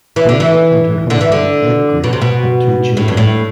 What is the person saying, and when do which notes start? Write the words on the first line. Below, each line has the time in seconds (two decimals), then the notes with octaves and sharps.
Greef and her husband Ed Greef have two children.
0.16 E3
0.29 D3
0.40 E3
1.10 D3
1.21 E3
1.32 D3
2.04 B2
2.13 C3
2.22 B2
2.97 A2
3.08 G2
3.17 A2